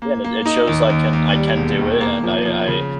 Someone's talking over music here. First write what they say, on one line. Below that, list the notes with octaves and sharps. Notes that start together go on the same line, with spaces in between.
Yeah, and it shows I can I can do it, and I I,
A#3
A#3
D#4
D#2
D#2
D#2
G3
E1
D#3
A#3
F3
F3
C#3